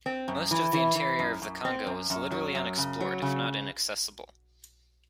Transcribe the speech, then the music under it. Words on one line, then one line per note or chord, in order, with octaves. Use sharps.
Most of the interior of the Congo was literally unexplored if not inaccessible.
C4
F#2
E3
E3
E3
F#2
F#2
C4
F#2
F#2
F#3
F#2
C#3
F#3
C#3